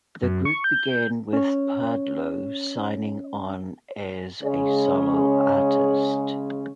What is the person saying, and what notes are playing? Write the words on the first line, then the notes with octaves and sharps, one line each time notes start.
The group began with Pardlo signing on as a solo artist.
F#2
C#6
G6
C#4 C#5
C#3 G#3 C#4